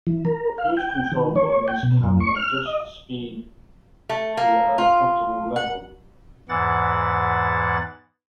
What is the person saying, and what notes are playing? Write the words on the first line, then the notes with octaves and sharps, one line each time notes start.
Cruise control buttons can adjust the speed to a comfortable level.
E3
A#4
F5
G5
D#3
C#5
G5
B2
F#2
C#6
F6
D#5
A3
A#3
F4
F#5
E2 G#2 E3 F#5 A6